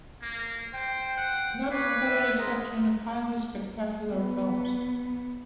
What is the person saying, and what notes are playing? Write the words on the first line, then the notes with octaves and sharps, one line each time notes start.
Non-competitive section of highly spectacular films.
A#3
C5 G5
F#5
B4 C#5 D5 F5
E5
G#3 A#4 D#5
B3